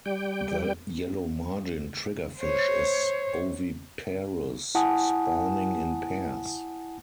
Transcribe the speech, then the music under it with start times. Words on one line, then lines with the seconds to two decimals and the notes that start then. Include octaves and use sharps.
The yellowmargin triggerfish is oviparous, spawning in pairs.
0.06 G3 G5
2.39 C5 C#5
4.75 E4 F#5 G#5 A5 D#6